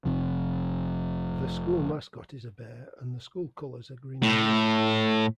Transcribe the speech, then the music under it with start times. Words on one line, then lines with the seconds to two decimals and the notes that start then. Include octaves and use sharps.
The school mascot is a bear and the school colors are green and white.
0.05 F1 C3 F3
4.23 A2